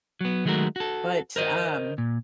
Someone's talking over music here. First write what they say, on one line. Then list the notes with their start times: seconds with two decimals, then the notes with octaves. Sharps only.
but, um,
0.21 F#3 B3
0.45 D#3 F#3 G#3 A3 F#4 A#4
0.76 F#4 A4
1.36 A#4 C5 D#5
1.98 A#2